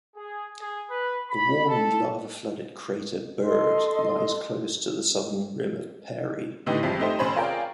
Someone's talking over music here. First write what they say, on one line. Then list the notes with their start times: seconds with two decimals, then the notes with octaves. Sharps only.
The worn and lava-flooded crater Byrd lies close to the southern rim of Peary.
0.16 G#4
0.60 G#4
0.90 B4
1.29 B5
1.68 A4
3.44 A4 D#5 C6
6.66 A2 D3 E3 D#4 G4
6.83 G#1 F2 F3 G3 G#3
7.00 A3 D#4 G4 C5
7.19 F1 C#4 C5 C#5 B5
7.36 F4 G#4 A#4 C#5 D5 G5